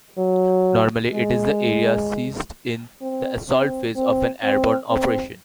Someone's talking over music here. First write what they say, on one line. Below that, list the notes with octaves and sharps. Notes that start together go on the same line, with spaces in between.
Normally it is the area seized in the assault phase of an airborne operation.
F#3
G#3
C4
C4
C4
C4
C4